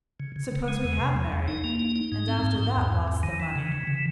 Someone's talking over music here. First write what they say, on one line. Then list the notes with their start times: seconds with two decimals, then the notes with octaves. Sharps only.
Suppose we had married, and after that lost the money!'
0.20 C#3
0.36 C#3
0.52 C#3
0.68 G#3
0.84 E2
0.99 C3
1.16 E2
1.32 E2
1.48 D#4
1.64 A#3
1.80 D#4
1.96 D#4
2.12 G#2
2.28 C4
2.43 G#2
2.60 G#2
2.76 E2
2.92 E2
3.08 E2
3.23 D#3
3.40 E3
3.56 C#3
3.72 E3
3.87 C#3